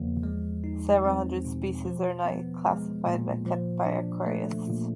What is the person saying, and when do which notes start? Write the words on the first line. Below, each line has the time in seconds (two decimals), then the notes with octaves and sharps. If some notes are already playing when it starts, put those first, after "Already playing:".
Several hundred species are not yet classified, but kept by aquarists.
Already playing: E2 C#3 F3 A#3
0.23 G#3
0.64 D#4
1.05 C4
1.45 B2
1.85 F3
2.25 B3
2.66 G#3
3.06 A#2
3.46 F3
3.86 D4
4.26 A3
4.67 A#2